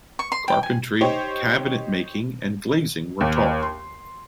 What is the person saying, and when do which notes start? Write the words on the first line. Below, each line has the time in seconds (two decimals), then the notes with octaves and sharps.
Carpentry, cabinet making, and glazing were taught.
0.19 C#6
0.32 C6
0.48 G5
0.63 G#5
1.01 D#4 G4 C5 C#5
3.21 D#2
3.63 C6